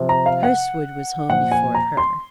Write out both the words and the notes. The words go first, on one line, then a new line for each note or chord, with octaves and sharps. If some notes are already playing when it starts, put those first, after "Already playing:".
Hurstwood was home before her.
Already playing: C3 F3
A#5
F5
F#5
A#2 F3 F#5
G#5
A#5
C6